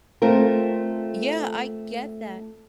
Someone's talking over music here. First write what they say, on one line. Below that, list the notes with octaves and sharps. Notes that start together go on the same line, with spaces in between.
Yeah, I get that.
A3 C4 F4 A#4